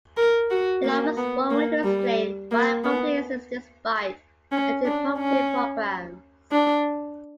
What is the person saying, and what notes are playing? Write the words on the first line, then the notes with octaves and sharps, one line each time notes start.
It offers one way to explain why poverty exists despite anti-poverty programs.
A#4
F#4
A#3
B3
A#3
G3
A#3
B3
C#4
D4
C#4
D4